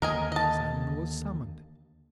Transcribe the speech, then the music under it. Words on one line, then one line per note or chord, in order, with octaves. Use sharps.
Simon was summoned.
D#2 D3 A#4 D#5 G#5
D#5 A5